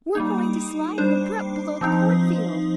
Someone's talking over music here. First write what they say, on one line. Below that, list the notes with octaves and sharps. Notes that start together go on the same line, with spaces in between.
"We're going to slide on the brook below the cornfield."
G3 A#3 D#4
G3 D4 C5
F3 C4 D#4